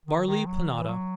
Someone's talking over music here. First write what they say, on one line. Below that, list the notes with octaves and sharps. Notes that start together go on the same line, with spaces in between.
Barley Panada.
D#3
D#3
F#3
D#3
E3
F#3